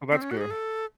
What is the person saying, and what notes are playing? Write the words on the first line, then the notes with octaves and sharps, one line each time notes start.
Oh, that's good.
C4
C#4
F#4
G4
G#4
A4